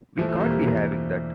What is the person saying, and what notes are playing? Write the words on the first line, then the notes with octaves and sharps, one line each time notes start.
We can't be having that!
E3 F3 A3
F3 A3
C4
E1 G3 A#3
G3
E3